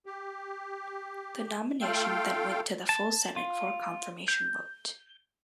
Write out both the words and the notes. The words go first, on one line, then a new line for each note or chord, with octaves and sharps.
The nomination then went to the full Senate for a confirmation vote.
G4
A3 F4 A4 F5 G5
A5
F4
G6